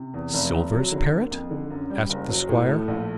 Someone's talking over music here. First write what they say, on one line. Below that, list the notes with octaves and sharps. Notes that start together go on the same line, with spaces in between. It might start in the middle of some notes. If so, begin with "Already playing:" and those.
"Silver's parrot?" asked the squire.
Already playing: C3
E2
F1
F1
F#3
D3
A#3
F2
D3
F#2
G3
F#1
F#3
A2
A3
A#1